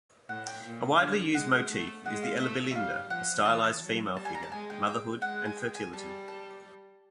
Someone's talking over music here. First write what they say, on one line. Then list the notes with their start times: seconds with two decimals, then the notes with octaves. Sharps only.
A widely used motif is the elibelinde, a stylized female figure, motherhood and fertility.
0.29 A2 F#5
0.47 G5
0.65 A#2
1.00 D3
1.35 G#3 F#5
1.70 A3
2.06 G#3 F#5
2.23 F5
2.31 D#5
2.40 A3 E5
2.71 E5
2.75 G3 F5
3.10 F3 F#5
3.46 E3 A5
3.64 A5
3.82 F#3
4.17 G3 A5
4.25 G#5
4.35 A#5
4.43 A5
4.52 G#3 G#5
4.70 G5
4.88 G5
5.22 G#3 F#5
5.45 G#5
5.57 G5
5.75 G#5
5.92 G3 A5
6.28 A5